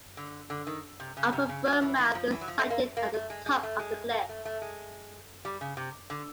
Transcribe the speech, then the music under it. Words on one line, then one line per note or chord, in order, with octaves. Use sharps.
Upper Burnmouth is sited at the top of the cliff.
D3
D3
D#3
C3
C#3
C3
C#3
F#3
E3
D#3
F3
E3
F#3
F3
A3
A#3
A#3
A3
G#3
G#3
A3
G#3
A#3
A3
A3
G#3
G3
C#3
C3
D3